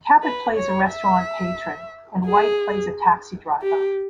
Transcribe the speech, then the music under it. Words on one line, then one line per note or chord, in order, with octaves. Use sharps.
Cabot plays a restaurant patron and White plays a taxi driver.
B4
C#5
E5
G#4
G4